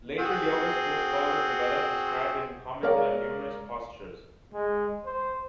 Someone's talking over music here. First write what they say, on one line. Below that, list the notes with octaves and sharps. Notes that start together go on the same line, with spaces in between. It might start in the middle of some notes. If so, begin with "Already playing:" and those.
Later yoga school scholars developed, described and commented on numerous postures.
C4 F#4 G#4
G#3 A#4 C#5 D5 F5
G#3
C5